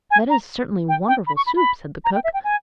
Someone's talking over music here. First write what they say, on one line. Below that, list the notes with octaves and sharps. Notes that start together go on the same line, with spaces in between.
'That is certainly wonderful soup!' said the cook.
G#5
A#5
G5
G5
B5
C#6
B5
B5
A#5
G5
E5
G5
G#5